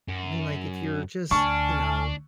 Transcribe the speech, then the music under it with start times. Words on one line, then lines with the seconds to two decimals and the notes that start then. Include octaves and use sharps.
I mean, like, if you're just, you know,
0.08 F#2
1.31 D2 D4 G#5 A5 C#6 F6